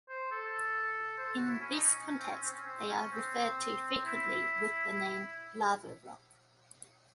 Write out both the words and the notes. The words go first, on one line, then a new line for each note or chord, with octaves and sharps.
In this context, they are referred to frequently with the name "lava rock".
C5
A4
C5
A4
F#4
E4
C#4
D#4
C#4
C#4
C4
C#4
C4
C#4
C4
C#4
C4
E4